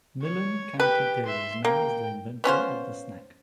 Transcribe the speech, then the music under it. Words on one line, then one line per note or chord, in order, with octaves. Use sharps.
Milon Kanti Dey is known as the inventor of the snack.
C#5
G4 B4 G5
E5 C6
A#3 G5
B3 C#4 F4 C5